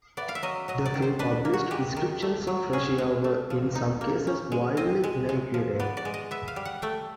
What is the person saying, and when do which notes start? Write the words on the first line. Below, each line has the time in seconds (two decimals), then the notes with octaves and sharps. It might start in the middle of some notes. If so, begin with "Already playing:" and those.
The few published descriptions of Russia were in some cases wildly inaccurate.
0.17 B3 D5
0.29 F5
0.35 E5
0.43 F#3 D#5
0.68 F#3 D#5
0.86 D5
0.94 D#3
1.02 C5
1.19 D4 B4
1.45 A#3
1.53 F#4
1.71 G#3 G4
1.96 D#3
2.22 A3
2.47 F#3
2.73 C#4 G#4
2.98 G#3
3.24 A3
3.50 F3
3.75 D#4
4.01 A#3
4.27 C#4
4.52 G#3
4.77 C4 D#5
5.04 G#3
5.29 G#3
5.54 F3
5.80 B3 D5
5.97 D5
6.05 G#3
6.14 D#5
6.31 B3 E5
6.48 F5
6.56 G3
6.65 F#5
6.82 A3 G5